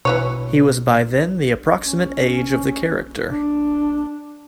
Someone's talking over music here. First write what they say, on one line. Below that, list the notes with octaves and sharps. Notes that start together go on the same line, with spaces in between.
He was by then the approximate age of the character.
B2 E3 B4 C#5
C#4
D4